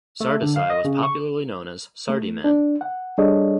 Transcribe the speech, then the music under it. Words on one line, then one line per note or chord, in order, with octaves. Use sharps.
Sardesai was popularly known as 'Sardee-man'.
A3
D3
F5
D#5
C#3
C#6
A3
D4
F#5
G3 D4 G#4 A4 C#5 D#5